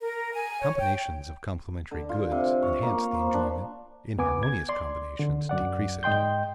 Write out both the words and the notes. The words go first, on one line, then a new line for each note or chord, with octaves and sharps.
Combinations of complementary goods enhance the enjoyment; inharmonious combinations decrease it.
A#4
G#5
C#5
G5
D3
F4
C3
C#5
A#3
C5
D4
C#2 B3 G#5 D6
G#6
D5 C6
D3
F#2 D5 F#5
G#2 D#5 G5 C6 G6